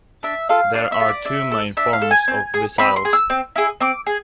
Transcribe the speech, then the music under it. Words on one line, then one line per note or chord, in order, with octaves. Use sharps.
There are two main forms of vesicles.
D4 E5
F4 A4 F5
D4 F5
E5
F4 A4
D5
D4 E5
A4
D4 E5
F5
A4
G#5
C4
G#4
C4 B5
C6
G#4
E6
C4
E4 G#4
C4 D6
G#4